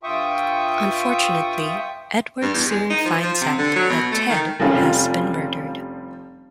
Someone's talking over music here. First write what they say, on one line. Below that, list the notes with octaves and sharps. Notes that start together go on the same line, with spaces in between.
Unfortunately, Edward soon finds out that Ted has been murdered.
G2 F4 E5 G5 C#6 D#6
G2
E2
G#3
D#4
F3
F3
C3
D3
F#3
B2
A3
D#3
F1 F3 G3 C#4 F4